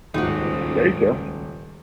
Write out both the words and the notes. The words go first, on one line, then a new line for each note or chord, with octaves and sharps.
there you go.
D#1 C#2 G#2 D#4 F#4